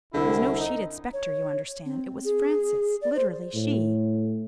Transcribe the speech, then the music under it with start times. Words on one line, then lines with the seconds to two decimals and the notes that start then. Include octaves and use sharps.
It was no sheeted specter, you understand; it was Frances, literally she.
0.14 C2 D3 E4
0.56 D#4
1.13 C#5
1.86 C4
2.24 G#4
3.02 D5
3.15 C5
3.54 A2